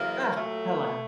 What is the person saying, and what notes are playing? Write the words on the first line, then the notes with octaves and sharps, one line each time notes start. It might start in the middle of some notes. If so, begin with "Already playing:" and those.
Ugh. Hello.
Already playing: F#2 C#3 E3 A#3
A#2 F#3 A3